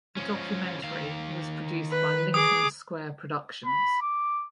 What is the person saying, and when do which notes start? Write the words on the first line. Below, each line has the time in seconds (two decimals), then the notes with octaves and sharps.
The documentary was produced by Lincoln Square Productions.
0.17 F3 C#4
0.84 D#3 F5
1.91 B4
2.34 G#4 D6 D#6
3.66 B5
4.01 D6